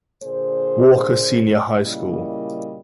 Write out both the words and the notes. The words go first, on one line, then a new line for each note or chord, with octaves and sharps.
Walker Senior High School.
A#2 D3 G#4 C5
A#2 C#3 G3 A#3 E4 D#5